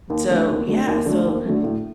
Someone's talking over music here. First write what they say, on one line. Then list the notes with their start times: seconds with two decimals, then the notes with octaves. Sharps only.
And so, yeah. So,
0.10 D#2
0.29 D3 F#3 A3
0.49 D#2
0.68 D3 F#3 A3
0.87 D#2
1.06 D3 F#3 A3
1.26 D#2
1.45 D3 F#3 A3
1.64 A2